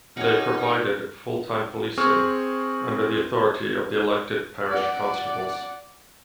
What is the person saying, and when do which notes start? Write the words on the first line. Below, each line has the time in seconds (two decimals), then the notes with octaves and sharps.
They provided full-time policing, under the authority of the elected parish constables.
0.17 B3 C#4 D#4 G4 C#5 F#5 F6
1.98 C4 G#4 C#6 F6
4.69 D5 F#5